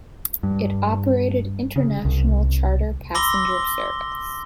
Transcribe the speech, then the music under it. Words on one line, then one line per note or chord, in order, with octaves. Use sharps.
It operated international charter passenger service.
G2
C#3
C2
B5 C6 D6 E6 A#6 G7